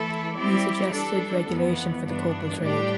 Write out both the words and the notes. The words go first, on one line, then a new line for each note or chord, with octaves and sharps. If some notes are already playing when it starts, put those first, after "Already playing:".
He suggested regulation for the copal trade.
Already playing: E3 A3 E4 A4
G3 C4 E4 G4 D5
E3 G3 D4 A4
F2 E3 B3
G2 E3 B3 D4
A2 G3 D4 G4 D5